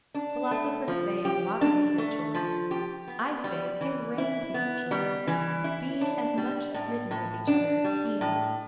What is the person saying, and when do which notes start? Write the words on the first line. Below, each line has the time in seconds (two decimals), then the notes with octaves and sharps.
Philosophers say: 'Moderate your joys.' I say: 'Give rein to your joys.' Be as much smitten with each other as fiends.
0.14 D4
0.51 A3
0.88 F3
1.25 G4
1.61 D4
1.98 A3
2.35 F3
2.71 G4
3.08 B3
3.44 G3
3.81 E3
4.18 E4
4.54 B3
4.91 G3
5.27 E3
5.64 E4
6.01 D4
6.38 G3
6.74 A2
7.11 A2
7.47 D4
7.84 G3
8.21 A2